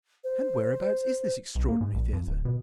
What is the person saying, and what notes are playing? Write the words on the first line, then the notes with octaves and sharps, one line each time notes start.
And whereabouts is this extraordinary theatre?
C5
B1
A#3
G#2
A#1
F2
D1
B2